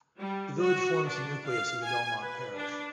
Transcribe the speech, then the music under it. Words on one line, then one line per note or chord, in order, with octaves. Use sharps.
The village forms the nucleus of the Belmont parish.
G3
F#4
D4
F5
G#5
B4
D4